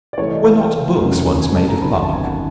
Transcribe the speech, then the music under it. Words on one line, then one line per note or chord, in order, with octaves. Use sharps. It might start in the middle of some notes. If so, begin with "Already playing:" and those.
Were not books once made of Bark?
D5
C2 C3 E3 A3 C#5
D#5
F5
G5
F1 E2 C#3 F#3 A#3
G#5
A5
A#5
G1 F#2 D#3 B5
A#5
A5
G#5
F#5